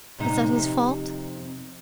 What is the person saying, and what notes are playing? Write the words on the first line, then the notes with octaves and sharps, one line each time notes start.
Is that his fault?
F2 C3 D#4